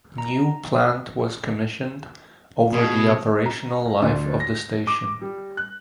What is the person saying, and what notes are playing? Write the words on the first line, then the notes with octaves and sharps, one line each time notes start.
New plant was commissioned over the operational life of the station.
A#5
B2 G#4
A#5
D2
A#6
D6
G3
F#6